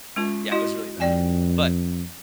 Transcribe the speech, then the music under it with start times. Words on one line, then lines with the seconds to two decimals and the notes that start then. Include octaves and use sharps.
Yeah, it was really bad. But
0.16 G#3 C#4 F4
0.52 E4 F#4 D#5
1.00 F2 D5 G5 G#5